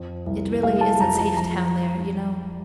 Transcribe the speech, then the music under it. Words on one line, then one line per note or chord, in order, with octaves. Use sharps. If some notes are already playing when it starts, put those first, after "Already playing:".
"It really isn't safe down there, you know."
Already playing: F2 F3
C2
G3 F5
A5
F2 A#5
A#5
F3 A#5